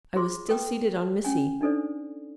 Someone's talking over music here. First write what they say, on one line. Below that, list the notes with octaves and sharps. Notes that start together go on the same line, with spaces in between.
I was still seated on Missy.
F4 G#4 C5 C6 D6
A4 B4 G5
C#4 G#5
D4 D#4 A4 C5 D5